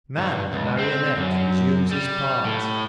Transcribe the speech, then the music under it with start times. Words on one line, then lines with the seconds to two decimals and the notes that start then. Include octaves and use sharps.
Man, the marionette, Resumes his part.
0.18 G2
0.53 C#2
0.79 C4
1.17 F#2
1.91 G3
2.45 A2